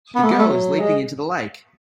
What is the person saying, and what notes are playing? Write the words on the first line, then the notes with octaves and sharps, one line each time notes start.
The girl is leaping into the lake.
B3
A3
B3
A3
F#3
G#3